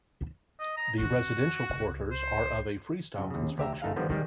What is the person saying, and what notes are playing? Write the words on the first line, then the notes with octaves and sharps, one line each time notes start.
The residential quarters are of a free-style construction.
D#5
A#5
F2 D3 F#4
C#2
C5
F#2 C#3
D#2 C#3
D2 G4 E5 A#5
G1 A3 D#4 G#4 F5
D3 D#3 F3 G3 B3
D#3 G3 G#3